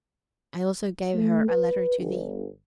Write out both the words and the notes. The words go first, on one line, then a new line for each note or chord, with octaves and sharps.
I also gave her a letter to thee.
A3
B4
G1